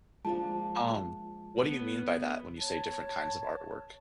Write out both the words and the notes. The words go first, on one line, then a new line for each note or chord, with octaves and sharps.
Um, what do you mean by that, when you say different kinds of artwork?
F3 G#3 A#3 D4 F4 A5
B3 C#5 F#5
C#5 A5